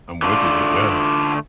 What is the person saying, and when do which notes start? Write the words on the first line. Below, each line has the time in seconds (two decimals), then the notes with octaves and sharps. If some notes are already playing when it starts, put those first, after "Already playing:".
I'm with you, yeah.
0.22 D3 A3 D4 F4